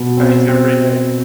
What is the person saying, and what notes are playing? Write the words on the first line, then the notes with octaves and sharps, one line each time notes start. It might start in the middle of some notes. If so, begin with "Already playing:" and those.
Thanks, have a great night.
Already playing: B2
C4
C4